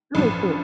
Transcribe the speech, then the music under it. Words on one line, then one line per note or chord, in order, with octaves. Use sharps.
Oh, cool.
A1 G2 F3